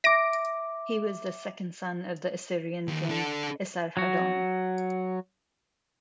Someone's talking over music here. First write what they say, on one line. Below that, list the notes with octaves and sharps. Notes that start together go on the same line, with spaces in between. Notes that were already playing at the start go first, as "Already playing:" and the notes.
He was the second son of the Assyrian King Esarhaddon.
E5 D6 A#6 D7
D#2
D4 A4
F#3 F#4